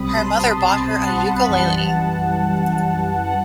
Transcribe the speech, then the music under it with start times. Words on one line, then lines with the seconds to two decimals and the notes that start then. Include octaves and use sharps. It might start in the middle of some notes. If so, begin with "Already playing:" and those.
Her mother bought her a ukulele.
Already playing: C2 B2 G3 C4 B5 D#6
0.08 A5 C6
0.55 A5 C6
1.01 F#5 A5
1.37 B5
1.47 F#2 E3 G3 F#5 A5
3.24 F#5